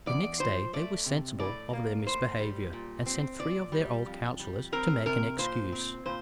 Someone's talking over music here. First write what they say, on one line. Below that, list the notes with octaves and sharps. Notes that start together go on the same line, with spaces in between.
The next day they were sensible of their misbehavior, and sent three of their old counsellors to make an excuse.
E2 D5
F3 C5
A3 D5
C3
A2 D5
A#3
A2 C5
G3
A#2
C4
A#2 D5
G3
F2
G3
C4 A#4
C3 A#4
A#2 C5
C4
A#2 C5